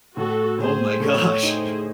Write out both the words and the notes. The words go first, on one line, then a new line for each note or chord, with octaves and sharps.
Oh my gosh.
A2 F#4 A4
A2 G#4 C5
A2 A4 C#5
D#4 G#4 C5